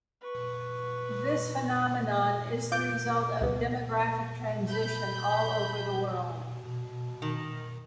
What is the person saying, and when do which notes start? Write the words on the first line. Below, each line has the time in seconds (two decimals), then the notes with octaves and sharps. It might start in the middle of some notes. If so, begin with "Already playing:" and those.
This phenomenon is the result of demographic transition all over the world.
0.21 B4 C#6
2.72 F4 D6 G6 D7
3.41 C#2 B3
4.68 B5 G6
6.48 B2
7.22 D#3